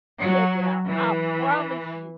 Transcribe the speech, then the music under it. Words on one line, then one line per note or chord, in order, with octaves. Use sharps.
Check it out, I promise you
F#3
E3